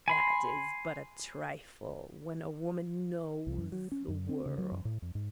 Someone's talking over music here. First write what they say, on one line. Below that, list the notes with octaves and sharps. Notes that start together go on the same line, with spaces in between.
That is but a trifle, when a woman knows the world.
G#5 B5 C6
C2
F#2
F#3
C#4
F#2
C4
C#3
F#3
F#2
A2
F2
G#2